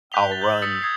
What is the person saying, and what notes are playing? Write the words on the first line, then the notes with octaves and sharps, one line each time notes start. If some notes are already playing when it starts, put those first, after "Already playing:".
I'll run
F#6 G6 B6 F7 G7
A6 G7
G6 F#7
D#6 E6 A6 B6 C#7
D#6 G#6 C7